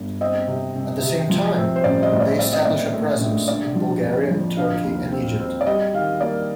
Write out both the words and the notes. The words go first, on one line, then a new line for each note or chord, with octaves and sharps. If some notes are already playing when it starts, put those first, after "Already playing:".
At the same time, they established a presence in Bulgaria, Turkey, and Egypt.
Already playing: G1
C4 D#5
C3
C2
C3
F3
C4
C5
A1 D5
D#5
A2
D5
C4 D5
D#5
A#2 D5
A3
A#1
D3 D5
F3
F2
F3
D3 F5
D#2
C4
C4
D5
G3 D#5
D#3 F5
A#3 D5